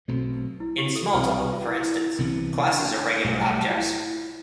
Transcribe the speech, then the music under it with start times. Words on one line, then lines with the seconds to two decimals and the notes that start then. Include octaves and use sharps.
In Smalltalk, for instance, classes are regular objects.
0.08 B1 B2 A3 C4
0.60 E4
0.78 G4
0.96 A4
1.13 C2 B2 G3 C4 B4
1.26 B4
1.40 G4
1.53 F4
1.67 E4
1.84 E4
2.01 E4
2.18 C2 C3 E3 B3
2.72 D4
3.24 B1 A2 G3
3.70 F4
3.77 E4